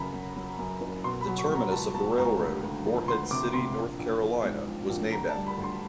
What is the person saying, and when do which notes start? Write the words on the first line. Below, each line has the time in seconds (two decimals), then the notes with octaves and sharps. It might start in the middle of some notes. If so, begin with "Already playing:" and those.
The terminus of the railroad, Morehead City, North Carolina, was named after him.
Already playing: F#2 C#3 A#5 B5
0.13 F#3
0.36 F#3
0.59 F#2
0.81 F#1
1.04 B2 C6
1.21 B5
1.27 F#3
1.38 C#6
1.49 F#3
1.55 A#5
1.72 C#2 A5
1.94 F#3 A5
2.18 C#2 A#5
2.40 D2
2.63 D2
2.86 F3
3.08 D2 C6
3.31 C3 D6
3.54 C3 C6
3.76 A#1
3.99 A#1
4.21 F3
4.44 G#2
4.67 F3
4.89 A#1
5.12 D2 A#5
5.30 A5
5.35 G3
5.47 B5
5.58 D2
5.64 C6